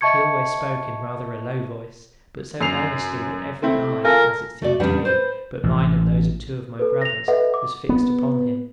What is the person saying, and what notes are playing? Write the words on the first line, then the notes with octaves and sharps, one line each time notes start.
He always spoke in rather a low voice, but so earnestly that every eye, as it seemed to me, but mine and those of two of my brothers, was fixed upon him.
D#5 E5 A5 C#6 G#6 C#7
F#2 C7 F7
A3 C4 E4
F4 A4 A#4 G#5
A3 F#4 D5
E2 C#3 G3 D4 B4 F#5
B4 C5
A1
A4 B4
A#6 F7
A4 B4 D#5 E5 F#5
D6
B3